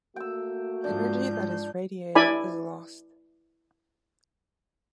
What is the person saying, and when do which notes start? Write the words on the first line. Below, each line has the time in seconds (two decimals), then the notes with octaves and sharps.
Energy that is radiated is lost.
0.16 A3 A#3 F#4 G5 E6
0.84 G#2 F3 D4 G6
2.15 E4 D5 G#5 B5